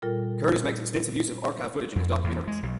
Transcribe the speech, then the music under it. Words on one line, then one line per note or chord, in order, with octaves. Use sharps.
Curtis makes extensive use of archive footage in his documentaries.
A#2 G3 F4 A4 A#4
F2
E2
G#3
B1